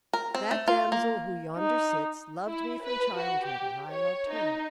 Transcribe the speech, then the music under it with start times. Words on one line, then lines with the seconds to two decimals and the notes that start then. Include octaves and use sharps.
That damsel who yonder sits, loved me from childhood and I loved her.
0.13 A#4
0.35 C4
0.51 A3
0.68 F4
0.92 A#3
1.56 D#4
2.46 E4
2.83 B4
3.16 F#4
3.44 G4
3.90 C#5
4.31 D#4